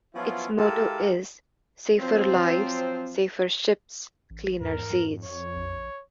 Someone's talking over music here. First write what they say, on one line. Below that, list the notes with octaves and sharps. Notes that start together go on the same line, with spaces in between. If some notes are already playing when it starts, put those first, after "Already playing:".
Its motto is "Safer Lives, Safer Ships, Cleaner Seas".
F3 F#3 B3 C#4 E4 F4
G#3 E4 G4 A4 A#4 F5
F3 F#3 C4
A1
E2 G#2 A#4
F2
C#5
A#1